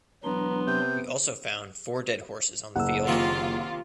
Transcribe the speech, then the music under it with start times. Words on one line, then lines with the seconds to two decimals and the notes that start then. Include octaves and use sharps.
We also found four dead horses on the field.
0.24 E1 F#3 B3 D4 A#5 C6
0.67 C3 G6
2.76 F#1 F#5 E6
3.07 C3 D#3 A#3 F4